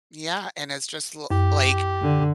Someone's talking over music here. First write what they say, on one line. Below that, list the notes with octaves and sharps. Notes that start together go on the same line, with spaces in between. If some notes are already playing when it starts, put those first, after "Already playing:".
Yeah, and it's just l like,
F#2 G4
D3